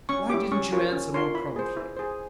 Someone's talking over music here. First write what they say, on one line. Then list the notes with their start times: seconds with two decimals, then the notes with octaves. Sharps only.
Why didn't you answer more promptly?
0.09 C#4 C#6
0.30 E4 G4 D6
0.52 C#4 C#6
0.72 F4 A#4 C#5
0.92 C#4
1.14 F4 A#4 C#5 C6
1.35 E4 B5
1.56 G#4 C5
1.76 E4
1.96 G#4 C5